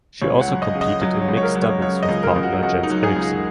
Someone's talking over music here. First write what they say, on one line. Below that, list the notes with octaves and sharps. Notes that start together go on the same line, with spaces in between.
She also competed in mixed doubles with partner Jens Eriksen.
C#2 C#5
F#5
F#3
D#5
C#3
D#5
F#3 D#5
C#5
C#2
C#5
A#4
F#3
C#5
F#3 C#5
D#5
C#2
A#4
C#2
F#4
C#2 F#4
D#4
F#3
G#4
C#2
D#4